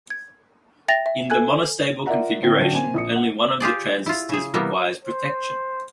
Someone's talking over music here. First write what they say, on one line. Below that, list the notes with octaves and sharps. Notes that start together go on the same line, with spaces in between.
In the monostable configuration, only one of the transistors requires protection.
G#6
E5 G5 A6 A#6 F7
E5
A4 G#5 F#6 G#6
F4 A#4 D5 E5 F#5 A#5
A2 D3 C4 G5
A1 D3 F#3 D4 G5 D#7
A#3 C4 G#5
A#1 D#6 C#7
F#5
F4 G4 G#4 D5
E4 F4
C#3 G#4
C3 E3 G3 A#3 B3
C5